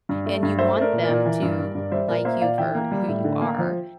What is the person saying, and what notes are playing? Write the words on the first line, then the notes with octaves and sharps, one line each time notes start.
And you want them to like you for who you are.
G2
A3
G2
A3 C5 E5
A3
A#4 D5
A#2
A#4 D5
A#2
E3
G2
G3
G2
G3 C5 E5
A#2 A#4 D5
A#3 C5 E5
A#2 D5 F5
E3 E5 G5
A#3
G3
A2
D3
A#3
F3